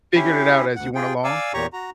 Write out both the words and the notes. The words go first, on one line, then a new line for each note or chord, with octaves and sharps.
figured it out as you went along?
C#4 E4 G4
D2 F#5
F4 G#4 G5
D5 F5 G#5 D6 E6
E2 A#2 G4 C#5 A#5 C#6
F#4 A#5